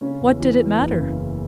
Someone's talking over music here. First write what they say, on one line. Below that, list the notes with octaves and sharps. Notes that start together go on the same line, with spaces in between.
What did it matter?
C#3 C#4
E2
E3
E3
F#1
C#3